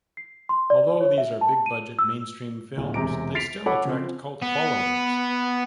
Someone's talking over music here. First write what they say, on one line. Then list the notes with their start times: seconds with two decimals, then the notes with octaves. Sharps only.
Although these are big budget, mainstream films, they still attract cult followings.
0.17 C7
0.49 C6
0.70 D5
1.00 C#5
1.18 E5
1.41 A5
1.66 D#7
1.99 E6
2.76 D1 A#2
2.94 E1 C3 G#3 A#5 D6 D7
3.35 A6 B6 C7 D7 F7
3.66 A4 C#5 F#5 B5 D6
3.85 C#3 F3 C4
4.42 B3